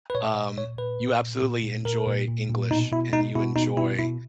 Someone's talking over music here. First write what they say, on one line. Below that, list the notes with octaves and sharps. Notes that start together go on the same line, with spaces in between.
um, you absolutely enjoy English and you enjoy,
B4
A#2 C#5
A#2 D#5
A#2 C#5
A#2 B4
A#2
A#2
A#2
A#2
A#2 A#4
A#2
A#2
A#2
B2 D#4
B2 E4
B2 D#4
B2 E4
B2 D#4
B2 E4
B2 E4